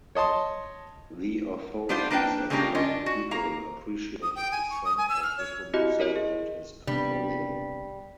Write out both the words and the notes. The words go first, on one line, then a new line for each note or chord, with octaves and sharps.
The authorities and the local people appreciated his sense of diplomacy and his composure.
C#5 D#5 A5 C6
B3 D4 F4 G4 C5 F5
A#3 D4 B4 E5 G5 A5
C#3 G3 G#3 A#3 D4 G4
C#4 D4 F4 D#5
F#4
A#3 F5 A#5
D#6
G5
G#5
C#6
D#6
G#5
E6
F6
C#5
C4 E4 F#4 G4 D#5
E4 A#4 C#5 D#5
G#4
C3 G3 B3 D4